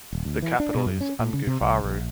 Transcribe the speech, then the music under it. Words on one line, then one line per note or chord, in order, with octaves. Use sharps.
The capital is Ungoofaaru.
D#1
D2
E3
D4
B2
F#2
C#4
A#2
C#3
C3
C2
A#1